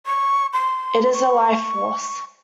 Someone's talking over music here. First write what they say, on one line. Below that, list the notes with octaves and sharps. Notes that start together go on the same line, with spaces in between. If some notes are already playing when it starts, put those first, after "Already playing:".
It is a life force.
C#6
C6
C#6